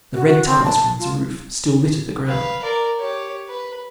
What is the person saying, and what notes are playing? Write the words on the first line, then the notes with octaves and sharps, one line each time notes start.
The red tiles from its roof still litter the ground.
F#4
F#4
C4
A5
F4
B4 F5
A#4 D5
G4 C#5
B4